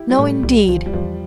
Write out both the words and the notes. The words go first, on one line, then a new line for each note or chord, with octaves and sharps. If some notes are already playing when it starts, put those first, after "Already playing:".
No, indeed!
Already playing: E4 G4
G3
A2 A3
C2 G3
C2 F3
G3
E2 F3